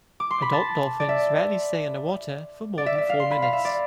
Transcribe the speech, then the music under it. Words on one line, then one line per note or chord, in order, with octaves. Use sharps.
Adult dolphins rarely stay under water for more than four minutes.
D6
C6
B5
A5
D5
E5
D5
E5
E5
F5
C6
B5
F5
E5
D5